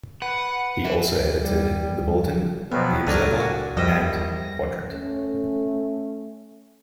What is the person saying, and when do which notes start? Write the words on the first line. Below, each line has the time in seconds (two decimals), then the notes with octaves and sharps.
He also edited "The Bulletin", "The Observer" and "Quadrant".
0.22 B4 F#5
0.85 B4 E5
1.41 G3
2.72 F2 B2 F3 F#3 B3
3.07 C#2 F#3 A3 D4 A#4 G#5
3.40 F#4
3.77 A#1 F2 G3 D#5 E5 G5 A#6
4.17 E2
4.91 A3 C#4